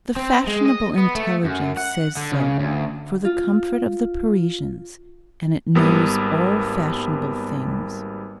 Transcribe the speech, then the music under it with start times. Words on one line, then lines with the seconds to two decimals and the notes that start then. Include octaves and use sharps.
The fashionable intelligence says so for the comfort of the Parisians, and it knows all fashionable things.
0.16 C4
0.48 G#3
0.66 D#5
0.98 B3
1.15 A3
1.44 F#2
1.77 F#5
2.17 D3
2.32 C#3
2.59 D2
3.25 F4
5.75 G#1 G3 A#3 B3 D#6